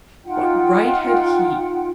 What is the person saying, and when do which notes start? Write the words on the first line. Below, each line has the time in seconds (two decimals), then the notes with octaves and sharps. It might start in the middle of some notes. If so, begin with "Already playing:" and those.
What right had he?
0.25 D#4 F4 F#5 G5